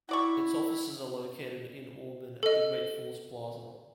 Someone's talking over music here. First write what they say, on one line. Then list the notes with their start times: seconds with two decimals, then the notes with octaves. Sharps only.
Its offices are located in Auburn at the Great Falls Plaza.
0.09 E4 F#4 D5 C#6
2.43 A4 D#5